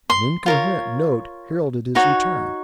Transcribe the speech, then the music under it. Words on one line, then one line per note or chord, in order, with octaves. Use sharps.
An incoherent note heralded his return.
C6
F4 A#4 C#5
D#4 F#4 C#5